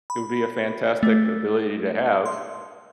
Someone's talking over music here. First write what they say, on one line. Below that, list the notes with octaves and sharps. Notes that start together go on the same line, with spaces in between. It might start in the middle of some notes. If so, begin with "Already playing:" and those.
It would be a fantastic ability to have.
B5
A3
C6